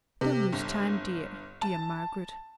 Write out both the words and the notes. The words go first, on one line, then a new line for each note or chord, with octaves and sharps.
Don't lose time, dear, dear Margaret.
C3
G1
A5